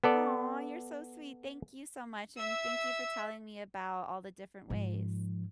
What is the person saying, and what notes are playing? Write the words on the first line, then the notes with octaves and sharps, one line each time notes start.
Aw, you're so sweet. Thank you so much, and thank you for telling me about all the different ways.
B3 A4 D5
E5 E6
G#2 F3